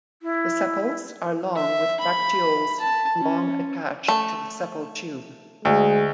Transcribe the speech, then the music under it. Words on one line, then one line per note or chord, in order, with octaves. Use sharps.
The sepals are long with bracteoles long attached to the sepal tube.
E4
E5
B5
A5
C#4
A3
D2 G#3